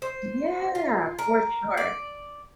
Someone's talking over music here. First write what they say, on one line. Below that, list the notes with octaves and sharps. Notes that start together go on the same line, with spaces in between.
Yeah! For sure.
C5
F4
A#4
D5